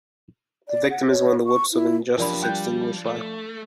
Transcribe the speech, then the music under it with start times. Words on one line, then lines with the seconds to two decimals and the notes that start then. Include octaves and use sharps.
The victim is when the whips of injustice extinguish life.
0.69 D5
0.90 F#5
1.08 C#5
1.46 C#6
1.73 E4
2.18 F#2 F3 D4 G4 A#4 D5 B5
2.43 G3 G5 F#6 G6
3.06 A3